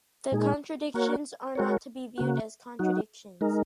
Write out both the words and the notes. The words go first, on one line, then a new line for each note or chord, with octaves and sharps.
The contradictions are not to be viewed as contradictions.
A#2 G#3 D#4 G#4
A#3 F#4 A#4 C#5
G#3 F#4 A#4 C#5
C#3 A#3 F#4
F#3 D#4 F#4
G#3 D#4 A#4